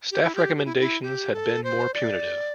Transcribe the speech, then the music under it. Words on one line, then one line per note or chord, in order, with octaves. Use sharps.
Staff recommendations had been more punitive.
G4
E4
G4
G4
E4
E4
G4
A4
C5
D5